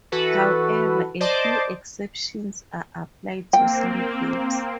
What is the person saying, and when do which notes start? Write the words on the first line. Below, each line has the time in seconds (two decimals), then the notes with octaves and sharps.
However, a few exceptions are applied to some groups.
0.12 E3 F#4 A4 B4
1.20 C5 D5 D#5 A5 D6
3.53 A#3 C4 G5